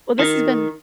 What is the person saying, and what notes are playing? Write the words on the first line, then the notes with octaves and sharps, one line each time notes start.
Well, this has been
D#3